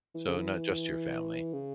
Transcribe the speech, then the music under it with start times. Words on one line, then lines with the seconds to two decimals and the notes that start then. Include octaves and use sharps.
so, not just your family.
0.15 E3
0.27 C#3
0.38 E3
1.53 C#3